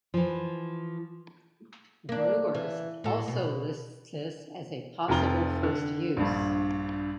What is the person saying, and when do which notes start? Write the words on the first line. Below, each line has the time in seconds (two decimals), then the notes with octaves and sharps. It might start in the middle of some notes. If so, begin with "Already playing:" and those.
"Brewer's" also lists this as a possible first use.
0.14 E3 F3
2.09 A#3 D4
2.54 E3
3.04 A2 A4
3.28 B2
5.08 F1 F2 F4 A#5 G7
5.63 D3
6.17 A#1 G2